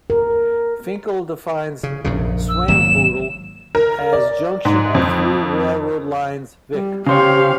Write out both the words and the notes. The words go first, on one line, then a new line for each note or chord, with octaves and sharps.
Finkel defines Swampoodle as Junction of three railroad lines, vic.
A#4
C#3
A#1 F#2 C#3
E6
G#1 F#3 A#3 E7
A#4
D5
G#2
F2
G3
C#3 G4 C5 C#5 F5